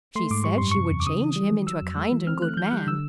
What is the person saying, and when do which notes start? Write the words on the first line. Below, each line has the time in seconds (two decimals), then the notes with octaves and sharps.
"She said she would change him into a kind and good man."
0.15 A3 C6
0.31 G#2 D6
0.44 G3 C#6
0.58 F#2 C6
0.71 C3 C#6
0.91 E2
1.00 D6
1.07 C#3 D#6
1.21 E3
1.36 G3
1.51 D#3
1.67 F#3 E6
1.82 F2
1.97 G#3
2.12 E3
2.27 C4 F6
2.42 A3 F#6
2.57 E3 G6
2.66 F6
2.72 G3 F#6
2.87 D3 E6